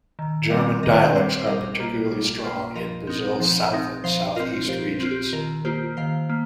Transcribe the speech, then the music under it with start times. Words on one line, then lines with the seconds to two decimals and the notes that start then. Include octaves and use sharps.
German dialects are particularly strong in Brazil's South and Southeast Regions.
0.19 D#3
0.50 G3 C4 A#4 D#5
0.83 D#3 A#4 D#5
1.15 G3 C4 G4 C5
1.39 C5
1.47 G3 A#4 D#5
1.80 A#3 F4
2.11 G3
2.43 A#3 F4
2.75 F3 A#4 D#5
3.07 C4 D#4
3.40 F3
3.72 C4 D#4
4.04 F3 C5 F5
4.36 C4 F4 A#4 D#5
4.68 F3 G4 C5
5.00 C4 F4
5.11 G4
5.33 D#3 A#4
5.65 A#3 F4 G4 C5
5.97 D#3 C5 F5
6.29 A#3